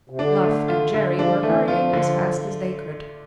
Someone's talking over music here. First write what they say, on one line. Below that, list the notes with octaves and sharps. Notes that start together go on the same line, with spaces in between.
Bluff and Jerry were hurrying as fast as they could.
C3
D3 D4
A3
F4
D3
F3 D4
E3 A3
F3 F4
D3